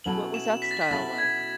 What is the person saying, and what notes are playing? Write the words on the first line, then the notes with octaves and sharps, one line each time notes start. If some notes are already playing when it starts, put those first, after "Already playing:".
what was that style like?
B2 F#3 C#4 E4 A4 F#7
E7
B6
A6
B6
B2 F#3 C#4 E4 A4 A6
G#6